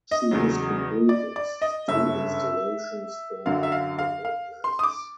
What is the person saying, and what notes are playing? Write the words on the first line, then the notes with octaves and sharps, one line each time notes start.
She has completed two installations for The Woodlands.
D#5
E2 C#3 F#3
D5
D5
D#5
G1 F#2 C#3 E5
F#2 D3 F#3 F5
E5
F5
F5
F5
C6
D#6
D6